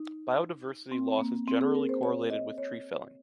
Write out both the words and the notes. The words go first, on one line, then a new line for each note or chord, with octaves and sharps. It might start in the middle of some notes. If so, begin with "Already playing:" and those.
Biodiversity loss is generally correlated with tree felling.
Already playing: D#4
C4
A#3
C4
G#4
A#4
C5
C#5
D#5
C#5